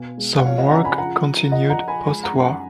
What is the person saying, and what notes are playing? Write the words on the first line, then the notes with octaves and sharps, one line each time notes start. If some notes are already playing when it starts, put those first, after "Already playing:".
Some work continued postwar.
Already playing: B2 F5 G#5
G#3
F#5
F3 C#5 F5
D#5 F#5
C#3 F#5 A#5
G#5 B5
F3 F#5 A#5
F3
F3 D#5 F#5
F#5 A#5
F3
G#5 B5
G#3 G#5 B5
F#5 A#5
F#2
F#5 A#5